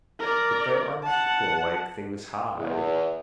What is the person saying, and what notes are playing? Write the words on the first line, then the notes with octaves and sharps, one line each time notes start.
But there are people like things high.
A#4 D5
F#5 A5
E2